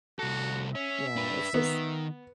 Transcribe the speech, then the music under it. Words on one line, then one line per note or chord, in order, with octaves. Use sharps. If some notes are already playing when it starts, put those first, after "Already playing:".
Yeah, it's just
C2 F#4 A4
C#4 E5
D4 B4
D#3 B3